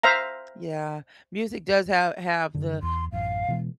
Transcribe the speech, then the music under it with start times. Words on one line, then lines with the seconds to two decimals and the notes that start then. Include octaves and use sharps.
Yeah. Music does ha have the
0.03 C5 E5 F5 A#5
2.55 F#2 D3
2.82 E2 C6
3.12 A1 F#2 F5
3.48 B2 E3 G#3